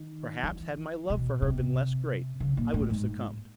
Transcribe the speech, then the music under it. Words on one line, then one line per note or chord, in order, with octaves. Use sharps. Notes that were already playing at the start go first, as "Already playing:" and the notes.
Perhaps had my love for her been less great, I would have succumbed.
Already playing: D#3
E3
B2
C3
C#3
A#2
A2
G#2